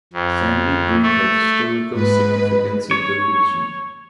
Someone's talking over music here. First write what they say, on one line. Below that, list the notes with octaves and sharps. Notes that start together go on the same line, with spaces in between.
Sandy Creek has historical significance in the region.
F2
A3
G#2 B4
C#5